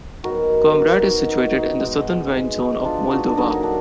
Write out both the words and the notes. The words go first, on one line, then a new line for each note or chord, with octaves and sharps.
Comrat is situated in the southern wine zone of Moldova.
D#3 F#3 B3 F#4 A#4
D#4 F#4
D#4
D#4
B2 G#3 B3 D#4
D#4
D4 F4
D#4 F#4
D4
D3 F#3 A#3 D#4
D4